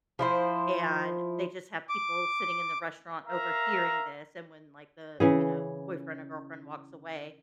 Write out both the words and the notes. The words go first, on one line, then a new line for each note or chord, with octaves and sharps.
And they just have people sitting in the restaurant overhearing this, and when, like, the, you know, boyfriend or girlfriend walks away,
F3 E4 C5
D6
A#4 E5 F5 A#5
C#3 E3 G#4